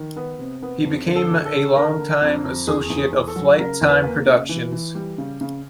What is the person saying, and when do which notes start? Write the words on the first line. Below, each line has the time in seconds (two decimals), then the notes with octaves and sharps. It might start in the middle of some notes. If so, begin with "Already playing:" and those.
He became a long-time associate of Flyte Tyme productions.
Already playing: D#3
0.16 B3
0.39 C3
0.62 B3
0.85 F2
1.08 D3
1.15 A4
1.30 D3
1.45 A4
1.53 D3
1.76 D3 A#4
1.99 D3
2.21 F2
2.44 F2
2.67 E2 G#4
2.90 E2
2.97 G#4
3.12 E2
3.28 A4
3.36 F#3
3.58 C#3 A#4
3.81 E2
3.89 B4
4.04 A#3
4.26 C#3
4.49 E3
4.72 E3
4.95 G3
5.18 C#3
5.41 C#3